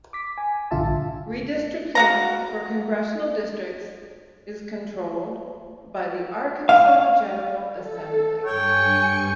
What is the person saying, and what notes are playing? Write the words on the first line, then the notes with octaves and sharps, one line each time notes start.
Redistricting for congressional districts is controlled by the Arkansas General Assembly.
D6 B6
G#5
A#1 G2 D3 F4 E5 A5
F#4 F5 A#5
F5
A4
G2 C#5 G5 G#5 C#7